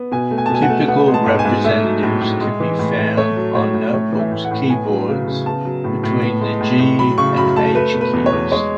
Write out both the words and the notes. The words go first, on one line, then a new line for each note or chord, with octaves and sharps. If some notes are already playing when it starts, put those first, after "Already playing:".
Typical representatives can be found on notebook's keyboards between the "G" and "H" keys.
Already playing: B3
B2 G#5
A3
G#5
A5
B2 G#5
F#5
A3
B3 F#5
G#3
A5
G#2
G#5
G#2
A3 E5
F#3
A2
A2
G#3
E3
A2
A2
A3 C#5
F#3
A2 C#5
A2
A3 C#5
E3
E5
A2
F#5
A2
B3 G#5
F#3
C#3
C#3
B3 A5
F#3
A2
A2
B3
G#3
A2
A2
F#3 B5
C#3 C#6
F#2 B5
A3 A5
A3 B4
B2
B4
E2
C#5
E2
G#3 C#5